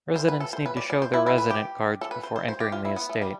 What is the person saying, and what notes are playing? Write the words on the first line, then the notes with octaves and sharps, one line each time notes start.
Residents need to show their resident cards before entering the estate.
C5
B4
A4
C5
B4
D5
D5
C5
E4
E4
B4
G4
A4
B4
C5
C5
C5
G4
F4
E4
B3
A3
G3